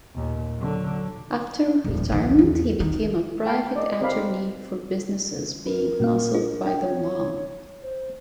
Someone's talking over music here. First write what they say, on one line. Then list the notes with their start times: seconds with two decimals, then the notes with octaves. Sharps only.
After retirement he became a private attorney for businesses being muscled by the mob.
0.15 D#2 A#2
0.57 D3 F#3
1.84 D#1 F2
2.09 A#1 D#2
2.39 E2
2.80 D#3
3.46 A3 F5 G5 A5 B5
3.76 D5 D#5
4.01 C4 A#4 B4 D5 F5 B5
5.67 A#4 B4
6.00 A#2 A#3 F5
6.34 D4 F4
6.66 D4 G5
6.82 C#5
7.83 C5